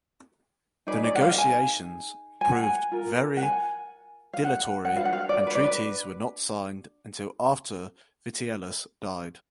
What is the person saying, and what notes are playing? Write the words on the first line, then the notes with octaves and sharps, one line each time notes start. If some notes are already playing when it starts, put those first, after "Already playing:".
The negotiations proved very dilatory and treaties were not signed until after Vitellius died.
D#4 G#4 B4 D5
D5
F#5
F5
G#5
G#5
F#5
G#5
F4 A#4
F#5
G#5
F5
F#5
F#5
D4 F#4 B4 F5
F#5
F5
D5
B4
D5
B4